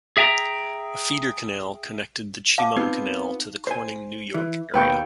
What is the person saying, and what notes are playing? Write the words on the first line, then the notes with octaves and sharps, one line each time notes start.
A feeder canal connected the Chemung Canal to the Corning, New York area.
G#4 E5 G5 A5 A#5
F5 A5 D6
B3 C4 D#4 F4
C5 G#5
E3
D#2 B2 B4 G5 C#6